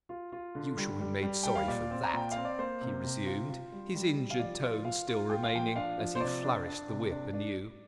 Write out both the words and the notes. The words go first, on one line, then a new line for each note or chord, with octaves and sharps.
"You shall be made sorry for that!" he resumed, his injured tone still remaining, as he flourished the whip anew.
F4
F4
D3
G3
G3
G3
G3 G5
F5
A#2 D5
C4
A#5
A#2 G5
C4 F5
D5
A#3 C5
C3
C3
F4
F4
G3
G3
G3
F5
F3 D5
F4
F4 F5
F4
F4 G5
F5
F3 G5
D4 F5
F3
C5
C3 D5
D4
D4
C3
D4
D4